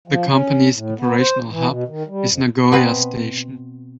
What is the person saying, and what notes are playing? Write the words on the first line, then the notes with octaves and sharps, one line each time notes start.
The company's operational hub is Nagoya Station.
F3
C#4
A2
B3
C5
E3
B2
D#3
G3
F2
B2 C4 B4